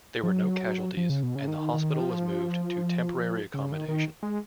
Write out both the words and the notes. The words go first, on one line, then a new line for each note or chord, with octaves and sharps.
There were no casualties, and the hospital was moved to temporary accommodation.
F3
F#3
F3
C#3
B2
C#3
D#3
D#3
F3
C#3
D#3
D#3
G#3